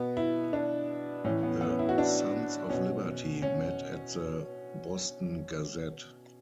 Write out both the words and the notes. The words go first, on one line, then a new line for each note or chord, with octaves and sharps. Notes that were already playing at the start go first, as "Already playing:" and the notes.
The Sons of Liberty met at the Boston Gazette.
Already playing: B2 B3
E4
D4
A2 E3 C#4
B3
B3
C#4
E4
F#4
D4
B2 C#4
C#4